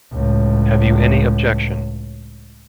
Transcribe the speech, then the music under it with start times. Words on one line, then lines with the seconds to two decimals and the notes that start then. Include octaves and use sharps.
Have you any objection?
0.14 C#2 A2